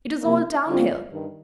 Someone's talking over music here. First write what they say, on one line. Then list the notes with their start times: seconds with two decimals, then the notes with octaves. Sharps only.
It is all down hill.
0.23 C3 F3 A#3
0.67 D3 G3 C4 F4
1.12 G2 D#3